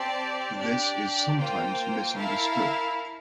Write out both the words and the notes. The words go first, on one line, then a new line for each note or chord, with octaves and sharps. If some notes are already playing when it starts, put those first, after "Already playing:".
This is sometimes misunderstood...
Already playing: C4 G4 D5 A5
D4 G4 D5
A#3 F4 C5 G5
E4 A#4 F5 A5